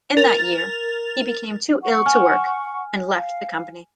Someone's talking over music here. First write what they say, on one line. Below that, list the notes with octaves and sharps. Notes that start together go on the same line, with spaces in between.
In that year he became too ill to work and left the company.
A#4 A6 F7
F#5 C#6
G#5 F6
F5